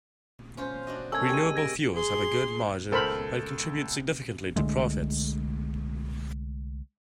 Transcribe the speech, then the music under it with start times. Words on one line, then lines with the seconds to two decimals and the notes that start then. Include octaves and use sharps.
Renewable fuels have a good margin and contribute significantly to profits.
0.57 C#4 F4 C5
0.87 D4 F#4 D#5
1.12 A3 A#3 C#4 A#4 A5 E6 G#6
1.29 G#3 G4 G#6 D#7
1.56 G#6 A#6 D7
1.94 G#4 C6
2.92 C#2 A4 A#4 C5 B5
4.56 C2 D3 G#3 A3